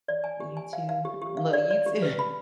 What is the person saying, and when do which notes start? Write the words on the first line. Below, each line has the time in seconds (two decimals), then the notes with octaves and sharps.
You too? Well, you too.
0.08 D5
0.24 G#5
0.40 G4
0.57 G#5
0.73 F5
0.89 F5
1.05 G4
1.22 G4
1.37 F5
1.53 D5
1.71 D5
1.86 G4
2.02 B4
2.19 B5